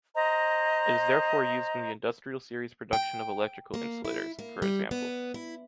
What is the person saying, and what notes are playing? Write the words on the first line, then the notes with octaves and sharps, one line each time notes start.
It is therefore used in the industrial series production of electrical insulators, for example.
C5 D#5 A#5
G5
A#3
E4
A#3
G3
B3
E4